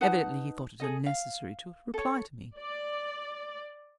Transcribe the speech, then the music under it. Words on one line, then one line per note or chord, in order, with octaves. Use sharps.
Evidently he thought it unnecessary to reply to me.
D#4 B4 F#5 A5
G#4 A4 D#5
F5
A4 C#5
D5